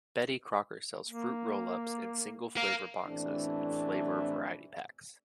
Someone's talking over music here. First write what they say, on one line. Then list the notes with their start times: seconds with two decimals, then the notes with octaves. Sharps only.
Betty Crocker sells Fruit Roll-Ups in single-flavor boxes and flavor variety packs.
1.07 A#3
2.57 A#4 F5
3.06 A1 C3 E3 A3 C4 D4